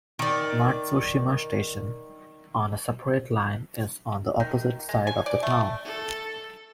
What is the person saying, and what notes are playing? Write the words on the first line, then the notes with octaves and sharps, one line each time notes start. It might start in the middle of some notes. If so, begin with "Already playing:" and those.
Matsushima Station, on a separate line is on the opposite side of the town.
D#3 D5
D#3
G#3
G#5
D5
A3
A4